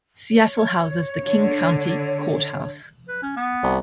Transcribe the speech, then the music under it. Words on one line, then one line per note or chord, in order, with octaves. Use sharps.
Seattle houses the King County Courthouse.
C#5
D3
B4
C#4
B3
C2